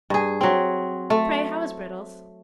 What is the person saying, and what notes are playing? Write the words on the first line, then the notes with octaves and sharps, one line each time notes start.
Pray, how is Brittles?'
G2 G#4
F#3 C4
A3